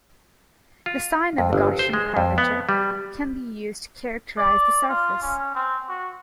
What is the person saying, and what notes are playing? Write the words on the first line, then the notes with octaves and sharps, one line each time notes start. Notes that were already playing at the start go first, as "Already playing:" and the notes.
The sign of the Gaussian curvature can be used to characterise the surface.
F4
F2
G1
C5
G#3
F2
B3
G3
D5
F4
C#4
C4
F#4